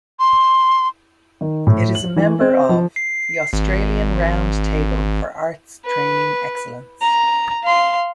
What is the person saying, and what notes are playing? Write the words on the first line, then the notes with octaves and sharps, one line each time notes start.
It is a member of the "Australian Roundtable for Arts Training Excellence".
C6
D#3
A2
F#7
E3
C4
F3
C7
G#1
B4
A#5
F5 C6